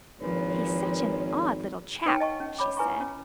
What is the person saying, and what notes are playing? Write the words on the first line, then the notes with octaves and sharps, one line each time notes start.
"He's such an odd little chap," she said.
G#1 A#2 F3 D4 B4 C#5
D#4 B4 C#5 F#5 G5 A5
D#5 A5 C#6
C#4
C#5 B5 D6
E4 B4 G#5 A#5 C#6
C#4